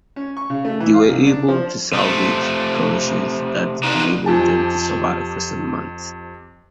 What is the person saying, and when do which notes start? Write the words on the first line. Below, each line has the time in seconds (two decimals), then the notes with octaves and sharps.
They were able to salvage provisions that enabled them to survive for some months.
0.16 C#4
0.37 C#6
0.50 C#3
0.65 A3
0.80 E3
0.94 F5
1.09 C2
1.27 D4
1.48 F3
1.93 C3 A3
3.83 D4 D#4 F4 F#4 B4 D5
4.26 F2 F4 G4 G#5 A5